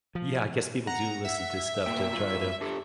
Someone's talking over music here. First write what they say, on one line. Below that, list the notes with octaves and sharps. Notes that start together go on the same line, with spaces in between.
Yeah, I guess people do listen to stuff to try to,
F3
F#5 A#5
E5
B2 A#3 G5
G2 A#2 F4
D4 G4 A4